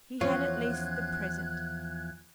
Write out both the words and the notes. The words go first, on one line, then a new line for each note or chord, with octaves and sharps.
He had at least the present!
E2 F3 C#4 F4 F#6 G#6